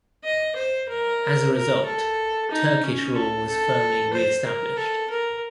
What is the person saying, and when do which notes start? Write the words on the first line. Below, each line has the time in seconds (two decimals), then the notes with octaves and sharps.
As a result, Turkish rule was firmly reestablished.
0.24 D#5
0.56 C5
0.89 A#4
1.54 A#4
1.85 A4
2.51 D#4
2.83 C#4
3.15 A4
3.48 A4
4.13 C5
4.45 A#4
4.77 A4
5.10 A#4